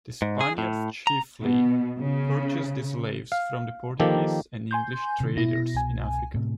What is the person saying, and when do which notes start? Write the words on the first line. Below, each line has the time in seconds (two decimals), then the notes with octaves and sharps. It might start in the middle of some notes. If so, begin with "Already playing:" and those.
The Spaniards chiefly purchased the slaves from the Portuguese and English traders in Africa.
0.22 G#2
0.41 G#4
0.58 A2
1.07 A#5
1.43 B2
2.00 C#3
3.32 F5
4.00 D#3 F3 A#3 G4 A4
4.71 G#5 C6 G6
5.20 C3 D#3
5.37 B2 E4 A#6
5.74 C2 G#5
6.34 A2 C3